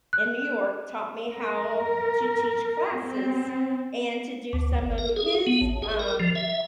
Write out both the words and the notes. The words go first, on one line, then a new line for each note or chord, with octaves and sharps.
in New York taught me how to teach classes and to do some of his, um,
F#6
A#4
C4
D2
G1
A#4
G#4
B3
A1
G#4
A#4
F3
E5